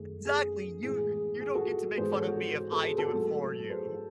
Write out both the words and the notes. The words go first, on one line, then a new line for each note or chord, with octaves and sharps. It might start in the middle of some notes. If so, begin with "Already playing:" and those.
Exactly! "You you don't get to make fun of me if I do it for you!"
Already playing: F#2 D#3 A3 G#4
G#4
A2 E3 G#3 G#4
G#4
G#4
G#4
F#4 A4
G#2 E3 G#3 G#4 C5
A4 C#5
F#4
A4
G#4
F#4 A4
G#2 F#3 A3
G#4 C5